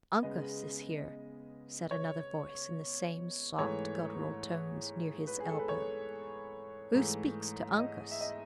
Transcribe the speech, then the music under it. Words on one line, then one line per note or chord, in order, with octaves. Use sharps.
"Uncas is here," said another voice, in the same soft, guttural tones, near his elbow; "who speaks to Uncas?"
C#3 G#3 B3 D#5
C#5
G#2 E3 A3 C#5
B4
G#4
A4
B4
C#5
G#2 E3 A3
D#5
E5
D#5